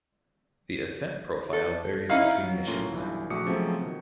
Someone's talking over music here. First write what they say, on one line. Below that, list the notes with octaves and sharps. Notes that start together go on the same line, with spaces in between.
The ascent profile varies between missions.
A4
C#4 D#4 E4 F5
F#3 F5
A2 F#3 A#3 C#4 F4
B1 G2 E3
A#1 A3 F#4 D6 D#6 C#7
C#3 F3 F#3 G#3 A3 C4
B2 D#3